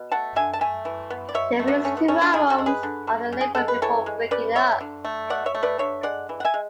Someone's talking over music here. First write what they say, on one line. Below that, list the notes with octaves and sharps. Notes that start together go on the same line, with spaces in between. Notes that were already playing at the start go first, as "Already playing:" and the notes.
They released two albums on the label before breaking up.
Already playing: B2
A3 F#5 A5
D3 E5 G#5
A5
A3 E5 G#5
E3
B3
D5
B2 C#5 E5
A3
B3 D4
D3 C#4
B3
A3 C#4
D4 F#4
D3 E4 G#4
F#4 A4
G#3
G#4 B4
D3
F#3
C#3
G#4
G#3 A4
B4
E3 A4 C#5
G#3
C#3 B4 D5
E3 C#5 E5
D3
A3
B2 D5 F#5
C#5 E5
A3
B4 D5
D3 C#5 E5
G#3 D5 F#5
E3
F#5
E5 G#5
G#3